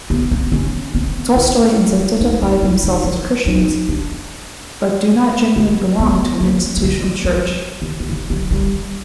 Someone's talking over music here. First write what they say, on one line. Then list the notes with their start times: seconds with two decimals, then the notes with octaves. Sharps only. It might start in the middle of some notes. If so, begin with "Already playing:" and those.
Tolstoyans identify themselves as Christians, but do not generally belong to an institutional Church.
0.10 B3
0.31 C4
0.52 C#4
0.95 C4
1.36 E4
2.21 D#4
2.42 D#4
2.62 E4
2.83 D#4
3.04 E4
3.46 D#4
3.89 D4
5.56 C#4
5.99 B3
6.40 A#3
6.77 A#3
6.83 A3
7.25 G3
7.82 D#3
8.00 F#3
8.10 F3
8.30 F#3
8.51 G3